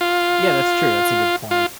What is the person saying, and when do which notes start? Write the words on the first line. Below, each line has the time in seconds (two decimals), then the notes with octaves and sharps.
Yeah, that's true. That's a good point.
0.01 F4
1.51 F4